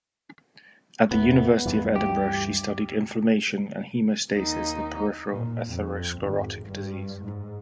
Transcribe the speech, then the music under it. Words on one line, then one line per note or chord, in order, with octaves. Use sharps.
At the University of Edinburgh she studied inflammation and haemostasis in peripheral atherosclerotic disease.
E2 A2 B3
D2 G2 E3
G4
D#2 D#4
A#2
F2
G#1
G2
G#2